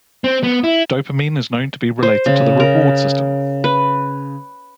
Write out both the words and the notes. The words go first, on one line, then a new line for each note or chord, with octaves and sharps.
Dopamine is known to be related to the reward system.
C4
B3
E4
C5
C#3
A#4
B4